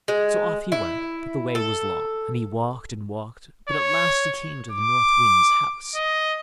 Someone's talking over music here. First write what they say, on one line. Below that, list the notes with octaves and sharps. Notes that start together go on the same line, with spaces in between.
So off he went, but the way was long, and he walked and walked; but at last he came to the North Wind's house.
G#3
E4
A4
C#5
D6
D#5